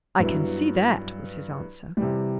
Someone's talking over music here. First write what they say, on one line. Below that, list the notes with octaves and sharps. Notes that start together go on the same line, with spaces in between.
"I can see that," was his answer.
G2 F#3 B3 E4
C3 E3 G3